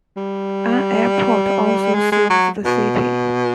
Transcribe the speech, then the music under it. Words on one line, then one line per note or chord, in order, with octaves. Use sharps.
An airport also serves the city.
G3
G#3
G#3
F#3
B2